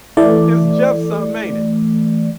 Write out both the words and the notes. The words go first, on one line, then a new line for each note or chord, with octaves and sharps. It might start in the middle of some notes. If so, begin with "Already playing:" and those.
It's Jeff summin', ain't it?
E3 A3 D5